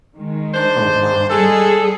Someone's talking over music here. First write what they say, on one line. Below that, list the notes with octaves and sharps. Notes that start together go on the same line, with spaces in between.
Oh wow.
D#3 G#3
D4 D#4 C5
G3 G#3 G#4 A4